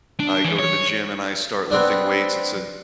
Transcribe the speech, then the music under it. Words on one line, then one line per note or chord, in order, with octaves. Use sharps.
I go to the gym and I start lifting weights, it's a
D4
E3
C#5
B3 C4 D4